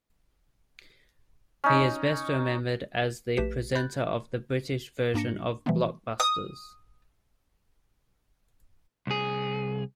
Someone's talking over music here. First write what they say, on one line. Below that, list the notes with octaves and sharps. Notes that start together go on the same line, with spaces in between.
He is best remembered as the presenter of the British version of "Blockbusters".
C#4 D#4
A#1 A3 G4 B4 B6 E7
B5 F#6 G6 A6
G#2 A#3 D4 A#6 C#7
B2 E3 F3 G3 A3 B3
D#6
C2 G#4